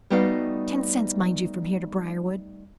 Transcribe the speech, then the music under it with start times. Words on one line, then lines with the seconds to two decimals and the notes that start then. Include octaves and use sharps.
Ten cents, mind you, from here to Briarwood.
0.10 G3 A3 B3 D#4 F#4 F5